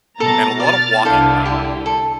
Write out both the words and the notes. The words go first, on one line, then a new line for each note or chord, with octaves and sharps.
and a lot of walking room.
B2 A4 A#5 A6
D5 F6 A6
C2 D3 E4 A4 C5 F5
G4
A4